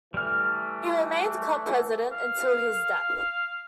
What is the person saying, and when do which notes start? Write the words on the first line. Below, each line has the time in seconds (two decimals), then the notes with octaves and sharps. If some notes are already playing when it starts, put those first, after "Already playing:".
He remained club president until his death.
0.14 E3 G3 A3 F6
2.12 F5